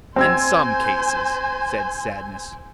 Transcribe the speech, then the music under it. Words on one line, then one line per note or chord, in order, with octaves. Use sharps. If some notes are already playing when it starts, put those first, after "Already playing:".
"In some cases," said Sadness.
C4 C5 G#5 E6 G#6